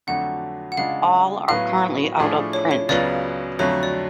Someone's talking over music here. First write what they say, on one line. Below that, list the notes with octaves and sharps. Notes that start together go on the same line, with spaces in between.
All are currently out of print.
F2 D3 F#3 A3 D4 F#5
F#5
C#3 G#3 D4 F4 F5
A2 F#3 B3 F5
A2 F3 A3 D4 G#4
C#5
C#5
C#2 C#3 F#3 B3 F4 D5
F2 D3 F#3 A3 F4 C#5
D5